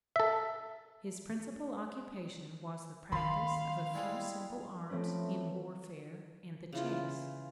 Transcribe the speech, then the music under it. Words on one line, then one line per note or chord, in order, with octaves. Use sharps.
His principal occupation was the practice of a few simple arts in warfare and the chase.
A4 E5
D#3 C#4 F5 B5 C6
G3 G#3 E4
F3 A3 C4 C#4 B4
C#3 E3 F4